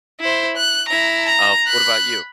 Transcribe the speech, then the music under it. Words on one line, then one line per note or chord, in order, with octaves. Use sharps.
Um, what about you?
E4 C5
F#6
E4 A#5
A#5
B5 F#6